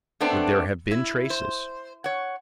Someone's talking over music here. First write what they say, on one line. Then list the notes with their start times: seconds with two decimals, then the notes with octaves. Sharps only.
"Would there have been traces?"
0.21 A3 B3 C4 D4
0.91 E4
1.30 C5
2.04 C#5 F#5